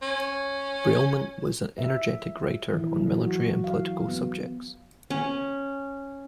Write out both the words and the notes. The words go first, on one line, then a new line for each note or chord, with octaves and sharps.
Brialmont was an energetic writer on military and political subjects.
C#4
E5
E3
F#3
F#4
F5
B3
C#4